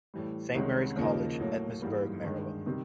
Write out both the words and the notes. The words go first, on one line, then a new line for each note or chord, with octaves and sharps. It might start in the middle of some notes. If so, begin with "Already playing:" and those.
Saint Mary's College, Emmitsburg, Maryland.
A2 E3 G3
C2 C3 D#3 G#3 C#4
D#2 C#3 F3 A#3 D#4
A2 F#3 A#3
G#2 E3 G3 A#3
G2 D#3 G#3
C3 D#3 G3